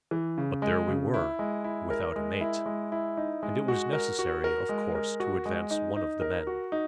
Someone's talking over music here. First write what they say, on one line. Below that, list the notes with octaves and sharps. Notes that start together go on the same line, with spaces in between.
But there we were, without a mate; and it was necessary, of course, to advance one of the men.
E3
C#3
G#3
C#3
E4
G#3
E4
A#4
G#3
E4
G#3
E4
D#4
G#3
F#4
A#4
F#4
A#4
G#3
A#4
F#4
G#3
D#4
D#4
A#4
F#4
D#4